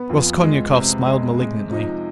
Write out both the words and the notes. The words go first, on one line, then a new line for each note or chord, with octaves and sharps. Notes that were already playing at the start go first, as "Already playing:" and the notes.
Raskolnikov smiled malignantly.
Already playing: B3
F2 F4
G#3
C3
G#3
G#3
F3 D#4